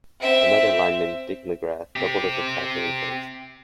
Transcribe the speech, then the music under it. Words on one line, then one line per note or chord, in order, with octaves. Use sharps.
Another lineman, Dick McGrath, doubled as captain and coach.
C4 E5
C4 G4